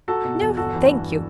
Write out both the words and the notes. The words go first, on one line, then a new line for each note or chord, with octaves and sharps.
'No, thank you.
F#3 F#4 A4
B2
E2
G1 F#4 A4
E3
G2